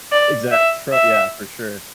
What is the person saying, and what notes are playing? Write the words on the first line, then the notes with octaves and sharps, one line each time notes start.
exact, tra yeah, for sure.
D5
E5
E5